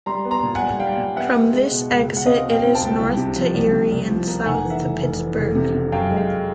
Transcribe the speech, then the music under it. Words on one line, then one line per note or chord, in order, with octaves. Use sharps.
From this exit it is north to Erie and south to Pittsburgh.
G3 A#5 C6
B3
A#5 C6
A#2
F#5 G#5
G3
G3 F5 G5
A#2
B3 E5 F#5
B3
G#3
B2
C#2
C#2
F#5
C4 D#5 F5
B2
F5 G5
C4
G5 A5
C#2
C2
C3
F3
C2
C3
C2
F3
A#3
F1 F#5 G#5
E3
E5 F#5
F1
F1
E3
F1
C3
C3
F#2 F5 G5
G#3
F5 G5